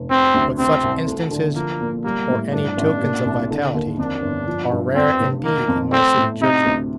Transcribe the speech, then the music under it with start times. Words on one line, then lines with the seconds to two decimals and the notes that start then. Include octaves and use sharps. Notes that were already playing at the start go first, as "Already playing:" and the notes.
But such instances, or any tokens of vitality, are rare indeed in my City churchyards.
Already playing: F1
0.10 C3 C4
0.34 D2
0.58 C3 C4
0.83 C2
1.07 A3
1.31 D3
1.55 F3 A#3
1.81 A#2
2.04 G3 A#3
2.29 A2
2.52 G2 D4
2.77 A1
3.02 A#2
3.25 C2
3.50 D3
3.74 D#2
3.98 F2 D4
4.22 G1
4.47 F3
4.71 G2
4.95 F2 C4
5.20 F1
5.44 D#3 A#3
5.68 F2
5.92 A3 C4
6.17 A2
6.41 C3 D#4
6.65 D2